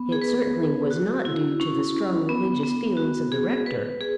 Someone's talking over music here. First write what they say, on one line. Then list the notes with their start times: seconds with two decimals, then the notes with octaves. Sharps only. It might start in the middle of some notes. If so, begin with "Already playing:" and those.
It certainly was not due to the strong religious feelings of the rector.
Already playing: B3
0.12 G#4
0.22 B4
0.90 F#4
1.25 E4
1.60 C#4
2.29 B3
2.63 B3
2.97 F#4
3.32 G#4
3.66 B4
4.01 G#4